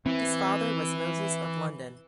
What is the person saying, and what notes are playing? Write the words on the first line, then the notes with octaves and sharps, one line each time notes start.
His father was Moses of London.
E3 C4